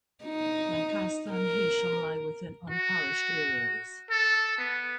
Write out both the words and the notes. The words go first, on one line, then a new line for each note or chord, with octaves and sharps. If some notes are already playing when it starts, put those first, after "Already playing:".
Lancaster and Heysham lie within unparished areas.
D#4
A#4
F#4
A4
B3